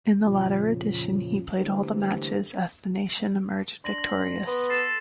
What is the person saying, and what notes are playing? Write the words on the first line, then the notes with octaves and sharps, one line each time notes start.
In the latter edition, he played all the matches as the nation emerged victorious.
F2 A#2 C#3 F3
D3 E3 G3 A3 A#3 C4
D4 C6 A#6 F#7
B3 C6
A4 A6 C7 E7